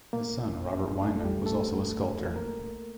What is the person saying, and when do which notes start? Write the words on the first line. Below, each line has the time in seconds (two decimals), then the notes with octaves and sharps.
His son Robert Weinman was also a sculptor.
0.13 A#2 A#3
1.02 A3
1.16 A4
1.25 G3 G4
1.46 A3 A4
2.36 A#3 A#4